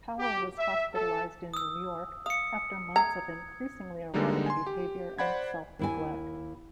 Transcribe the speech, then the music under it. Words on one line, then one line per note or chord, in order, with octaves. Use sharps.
Powell was hospitalized in New York after months of increasingly erratic behavior and self-neglect.
G4
E5
A4
D#6 E6
F5 D#6 C#7
A3 A#5 G#6
D3 G3 G#3 A#3 D#4
G#5 C6
G4
C5 D5 F#5 B5 G#6
D#2 E4 G#5